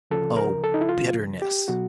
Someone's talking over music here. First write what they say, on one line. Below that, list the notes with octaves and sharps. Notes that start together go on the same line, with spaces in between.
Oh, bitterness!
D2 C#3 F3 A4
A#4
A4
D#4
E4
F4
G4
B2 F#3 F#4